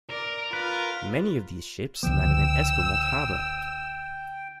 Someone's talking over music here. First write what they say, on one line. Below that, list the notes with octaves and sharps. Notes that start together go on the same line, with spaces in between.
Many of these ships landed in Esquimalt Harbour.
A#4 D5
F4 B4
C#2 D3 F3 B3 G5 E6